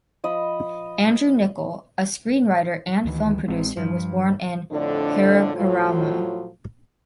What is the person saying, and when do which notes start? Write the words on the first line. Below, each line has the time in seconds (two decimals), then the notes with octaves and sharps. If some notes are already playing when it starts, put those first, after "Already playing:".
Andrew Niccol, a screenwriter and film producer, was born in Paraparaumu.
0.24 F3 D#5 B5
3.05 D2 D#3 E3
3.48 A1 G#3 C4
3.77 G2 F3
4.71 F2 A2 D3 D4
5.54 A2 F3 F#3 F4